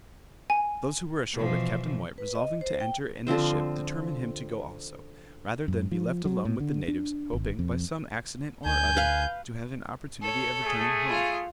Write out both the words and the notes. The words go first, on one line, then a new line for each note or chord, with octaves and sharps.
Those who were ashore with Captain White, resolving to enter in this ship, determined him to go also, rather than be left alone with the natives, hoping, by some accident or other, to have an opportunity of returning home.
G#5
B2 E3 F3
B4
D#5
C5
G5
D3 F3 C4 C5
F#2
F3
F#3
A2
D3
D4
G#1
F2
D2 G#5 G6
B4 F5
A4 C#5
A3 G#4
F4 F5